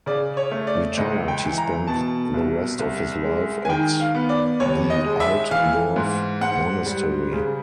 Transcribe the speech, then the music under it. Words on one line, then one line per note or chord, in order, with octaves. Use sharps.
Retired, he spent the rest of his life at the Altdorf monastery.
C#3 D5
C#5
A3
D5
C#2 D#5
G5
E3
A#5
B2 A5
C2
C2
G#3
G#5
D#3 G5
F5
B3
D5
D#2 C#5
D#5
G#3
E5
E3 F5
G#2
G#2 F#5
G3
C#3